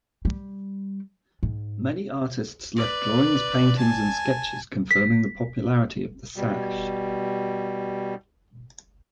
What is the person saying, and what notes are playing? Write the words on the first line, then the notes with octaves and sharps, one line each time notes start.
Many artists left drawings, paintings and sketches confirming the popularity of the sash.
G3
G#2
B4 D5
G#5 A5
B6
B2 G3